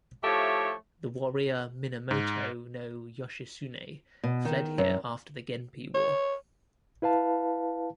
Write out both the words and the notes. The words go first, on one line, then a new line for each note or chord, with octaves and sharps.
The warrior Minamoto no Yoshitsune fled here after the Genpei War.
F3 A3 E4 G4 C#5
G#2
B2
D#3
F#2
C#5
E4 B4 F5 A5